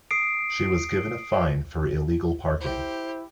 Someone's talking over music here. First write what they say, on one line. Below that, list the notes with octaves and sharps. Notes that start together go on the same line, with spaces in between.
She was given a fine for illegal parking.
D#6 C7 D7
E4 G4 C5